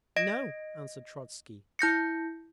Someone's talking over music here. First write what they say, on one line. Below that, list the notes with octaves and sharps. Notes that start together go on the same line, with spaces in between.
"No," answered Trotzky.
D#5 A#6 D7
E4 G6 A#6 C#7